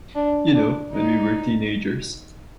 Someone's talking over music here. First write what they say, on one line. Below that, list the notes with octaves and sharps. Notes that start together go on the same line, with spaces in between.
You know, when we were teenagers.
D4
D4
D#4